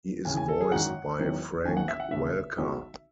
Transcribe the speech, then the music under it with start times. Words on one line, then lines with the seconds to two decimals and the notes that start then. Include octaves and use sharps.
He is voiced by Frank Welker.
0.25 D#2 C#3 E3 G#5
0.37 G#5
0.48 A4
0.61 G#4
0.72 G#1 F#2 D#3 F#3 F#5
1.19 E1 E2 D#3 F#3
1.65 E1 D#2 D#3 G#5
1.77 F#5
1.88 E5
2.00 F#5
2.11 D#2 C#3 G#3 E5
2.58 B1 B2 G#3